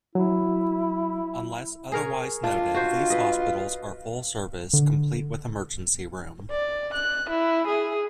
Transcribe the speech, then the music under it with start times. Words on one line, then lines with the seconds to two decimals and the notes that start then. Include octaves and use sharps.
Unless otherwise noted, these hospitals are full-service, complete with emergency room.
0.15 F#3 E4
1.92 G#4 A#4 C#5
2.44 D4 F4
2.74 F#4 C5
3.10 B4 D#5
4.73 D3
6.51 D5
6.94 F#6
7.30 E4
7.68 G#4